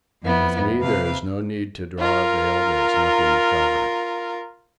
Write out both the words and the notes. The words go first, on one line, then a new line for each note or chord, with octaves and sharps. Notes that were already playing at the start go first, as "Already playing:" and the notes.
With me there is no need to draw a veil; there is nothing to cover.
F2 B3 E4
C3 B4 F5
F4 A#4